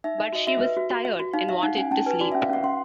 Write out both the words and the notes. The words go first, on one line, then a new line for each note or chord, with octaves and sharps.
But she was tired, and wanted to sleep.
D#4 E5
D#4
F#4 D#5
F#4 E5
B4
F#4
F#4
E5
F#4
D#4 F5
E5 F5
D#4 F#5
C#4 G#5
C#4 A5
B4 G#5
F#4 D5
E5
C#4
F5
C#4 F#5
C#4 C6